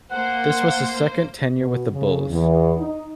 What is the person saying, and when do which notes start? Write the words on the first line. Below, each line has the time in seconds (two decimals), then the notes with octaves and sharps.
This was his second tenure with the Bulls.
0.11 A#3 C5 F#5
1.57 B2
1.92 C#3
2.30 E2
2.78 D#4